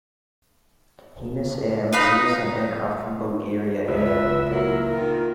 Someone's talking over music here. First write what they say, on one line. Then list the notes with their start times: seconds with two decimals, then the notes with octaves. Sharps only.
Hemus Air received some aircraft from Bulgaria Air.
1.93 D#4 B4 F5 B5
3.88 C#2 B4 E5
4.50 A#2 F#3 A#3 E4 A#4
4.89 D#3 F4